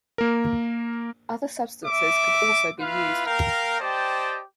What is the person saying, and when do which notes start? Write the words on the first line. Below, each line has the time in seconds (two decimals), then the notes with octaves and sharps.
Other substances could also be used.
0.18 A#3 A#4
1.86 E5 D6
2.80 E4 F4 B4 F5
3.27 A#4 F5 G5
3.80 G4 C5 D5 D#5 G5 A5